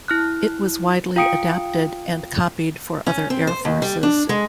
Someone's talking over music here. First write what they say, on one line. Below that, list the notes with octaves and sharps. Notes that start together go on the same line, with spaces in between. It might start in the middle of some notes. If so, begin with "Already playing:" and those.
It was widely adapted and copied for other air forces.
E4 F6 F#6
F4 F5 G5 D#6 C#7 D7
C#4
C4
C5
D#2
G3
D4
G#3